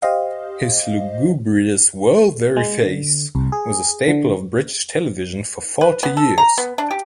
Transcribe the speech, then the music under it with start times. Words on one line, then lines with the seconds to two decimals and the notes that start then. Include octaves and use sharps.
His lugubrious world-weary face was a staple of British television for forty years.
0.02 G4 C5 D#5 F5
2.56 G#3
2.82 D3
3.35 C2
3.52 G#4
4.08 D3
5.81 B4
6.03 B3
6.17 A4
6.38 A#5
6.58 B3
6.78 D4
6.91 G4